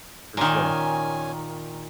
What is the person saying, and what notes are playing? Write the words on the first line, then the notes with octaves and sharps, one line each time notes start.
For sure.
A#2 D#3 C#4 G#5